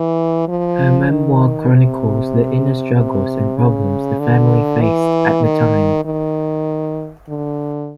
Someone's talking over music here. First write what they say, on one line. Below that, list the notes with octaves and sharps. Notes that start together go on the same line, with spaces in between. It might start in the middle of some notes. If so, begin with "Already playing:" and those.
Her memoir chronicles the inner struggles and problems the family faced at the time.
Already playing: E3
F3
D#3
C3
C3
C#3
D3
E3
D#3
D#3
D3